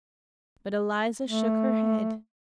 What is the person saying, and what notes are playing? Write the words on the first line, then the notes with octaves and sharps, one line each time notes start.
But Eliza shook her head.
A3